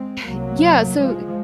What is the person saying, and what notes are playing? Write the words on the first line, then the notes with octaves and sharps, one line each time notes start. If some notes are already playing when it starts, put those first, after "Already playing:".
eh, yeah, so
Already playing: G#3 C4
C2 C3 F#3 A#3
F3 G#3